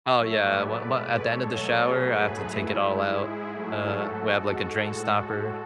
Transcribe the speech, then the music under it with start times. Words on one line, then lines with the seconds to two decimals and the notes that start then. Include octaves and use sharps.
Oh, yeah, well well, at the end of the shower, I have to take it all out, uh, we have like a drain stopper.
0.17 A2 F#3 A3 C#5 E5
0.52 B4 D5
0.85 B2 G#3
1.18 A4 C#5
1.53 B2 F#3 A3
1.86 G#4 B4
2.20 G#2 F#3 A3
2.52 E4
2.87 G#2 G#3
3.20 E4 G#4
3.54 G#2 F#3 A3 E4 G#4
3.87 F#4 A4
4.21 G#2 G#3 F#4 A4
4.87 A2 G#3